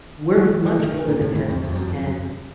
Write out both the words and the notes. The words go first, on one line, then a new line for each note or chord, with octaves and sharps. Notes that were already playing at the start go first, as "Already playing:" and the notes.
we're much older than him, and
F#3
E3
D#3
D#3
A#2
A2
A2
F2
F2
F#2
F2
F#2